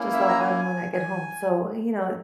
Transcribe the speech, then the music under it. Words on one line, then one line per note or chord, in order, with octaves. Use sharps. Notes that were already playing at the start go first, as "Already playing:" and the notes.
Just log on when I get home, so, you know
Already playing: A#3 C#4 E4
E5
A#5
G#5
G#5